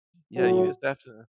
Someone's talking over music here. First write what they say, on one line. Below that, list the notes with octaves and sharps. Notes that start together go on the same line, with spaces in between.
Yeah, you just have to
A2 F#3 F#4